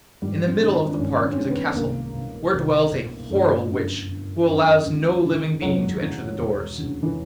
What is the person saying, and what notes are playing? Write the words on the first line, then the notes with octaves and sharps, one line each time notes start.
In the middle of the park is a castle, where dwells a horrible witch who allows no living being to enter the doors.
G#1 G3
C4
G#2 D#3
C4
D4
G#1 C#4
C4
C#4
G#2 D#3 C4
B3
C2 A#3
B2
C2
B2
G1 A3
F#2 D3
G1
F#2 D3
C#2
C#3 E3
C#2 F#3
C#3 E3
E1
D2 C#3 E3
E3